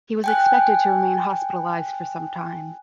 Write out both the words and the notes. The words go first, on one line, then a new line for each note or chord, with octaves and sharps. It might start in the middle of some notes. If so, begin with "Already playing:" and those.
He was expected to remain hospitalised for some time.
G5 G#5 F#6